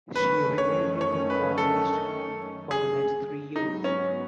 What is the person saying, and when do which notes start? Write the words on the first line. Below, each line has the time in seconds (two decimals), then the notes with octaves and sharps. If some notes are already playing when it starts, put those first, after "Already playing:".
She remained in the Far East for the next three years.
0.15 F#2 D#3 A3 C#4 B4
0.58 C#5
1.01 C#5
1.30 B4
1.58 A4
2.71 G#4
3.56 G#2 F#3 B3 D#4
3.84 C#4